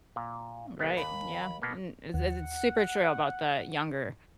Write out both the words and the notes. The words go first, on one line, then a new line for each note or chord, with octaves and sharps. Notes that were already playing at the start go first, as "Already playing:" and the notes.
Right, yeah, and as it's super true about the younger
A#2
C2 B3
D#2 B5
B2 A#3 B3
D#2 F#5